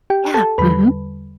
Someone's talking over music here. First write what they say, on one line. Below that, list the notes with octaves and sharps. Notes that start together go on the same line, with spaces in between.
Yeah. Mhm.
G4 G5
A4 A5
E2 D3 G3 B4 B5